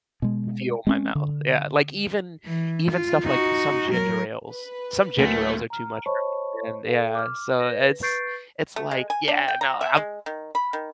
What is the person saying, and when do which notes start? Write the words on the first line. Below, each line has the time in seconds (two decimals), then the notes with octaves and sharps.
feel my mouth." Yeah, like even even stuff, like, some ginger ales some ginger ales are too much for me, and yeah, so it's it's like, yeah, no, I'm
0.22 B2 G#3
0.87 G#3 C4 C#4
1.15 D3
2.46 E3
2.90 F4
3.24 D#4 F#4
3.92 F#3 A#4
4.52 B4
5.18 D2 F#3 A3 A#3
5.70 A#5 F6
6.06 C5 C#5 D#5 A5 B5 C#6
6.84 A4 F5
7.15 D6 F6
7.60 B4 A#6
8.02 B4 C#6 G6 A6 C7 D7
8.76 A3
8.91 G#3
9.10 G#5
9.28 D4
9.48 G5
9.61 A#5
9.81 E5
9.97 G#3
10.26 D#3
10.55 B5
10.73 D#3